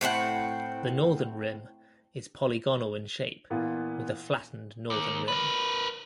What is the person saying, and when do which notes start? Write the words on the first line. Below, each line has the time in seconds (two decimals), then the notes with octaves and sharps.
The northern rim is polygonal in shape, with a flattened northern rim.
0.01 A2 C4 E4 F#5
3.50 A#2 E3 B3 F4
4.90 D#2
5.28 A#4 B4